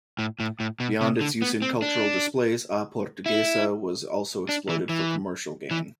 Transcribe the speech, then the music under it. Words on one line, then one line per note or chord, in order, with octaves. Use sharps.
Beyond its use in cultural displays, "A Portuguesa" was also exploited for commercial gain.
A2
A2
A2
B2
C3
D3
B3
C4
D4
E4
D4
E3
E3
E3